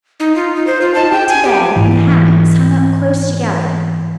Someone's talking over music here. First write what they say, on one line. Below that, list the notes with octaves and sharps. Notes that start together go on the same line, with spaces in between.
They went to bed in hammocks hung up close together.
D#4
F4
D#4
C5
F4
A5
G5
G#5
G4
G#2 E3